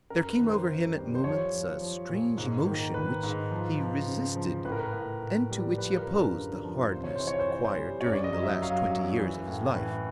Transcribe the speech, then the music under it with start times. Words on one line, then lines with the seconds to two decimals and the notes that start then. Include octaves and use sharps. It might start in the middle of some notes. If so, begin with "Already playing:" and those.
There came over him at moments a strange emotion which he resisted and to which he opposed the hardness acquired during the last twenty years of his life.
0.10 F#2 A#4
0.30 B4
0.38 D#3
0.48 C5
0.67 F#2
0.96 G3
1.15 C5
1.24 F3 C#5
1.53 F3
1.81 F3
2.09 A#2
2.38 G#2
2.67 D#3
2.94 D#3 B4
3.23 G#2
3.51 F3
3.79 F3
4.08 C#3
4.36 F3
4.65 A2 B4
4.72 A#4
4.80 B4
4.93 A2
5.22 A2
5.50 G3
5.78 F3 B4
5.98 A#4
6.07 F#2
6.15 A#4
6.34 D3
6.63 F3
6.92 C3 C5
7.04 C#5
7.15 E3 C5
7.27 C#5
7.40 C5
7.48 E3 C#5
7.65 C5
7.77 G3
8.01 C#5
8.05 F#2 D5
8.24 D#5
8.33 F#3
8.43 E5
8.62 F#3 F5
8.90 F#2
9.19 E3
9.48 A2
9.76 E3